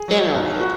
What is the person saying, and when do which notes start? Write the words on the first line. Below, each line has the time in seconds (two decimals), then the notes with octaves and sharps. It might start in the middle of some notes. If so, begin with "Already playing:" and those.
They don't care.
Already playing: G#4
0.08 F#3
0.35 B1
0.60 F#4